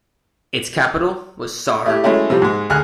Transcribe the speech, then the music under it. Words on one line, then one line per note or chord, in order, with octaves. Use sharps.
Its capital was Sarh.
A3 E4 G4
F#3 G#3 A3 C#4 E4
C3 F3 G3
G#2 G#3
D2 G#4 F6 F#6